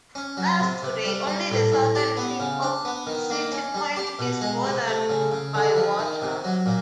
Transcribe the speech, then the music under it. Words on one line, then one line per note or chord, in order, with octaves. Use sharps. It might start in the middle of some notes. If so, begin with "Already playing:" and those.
Thus today only the southern tip of City Point is bordered by water.
C#4
F#3
C3
C3
G3
G3
A2
A2
G4
B3
C#3
D4
B3
D#3
A#3
C#4
G3
G4
B2
G#3
C3
A3
C#3
C#3
D3
F3
D#3
C3
F#3
A#2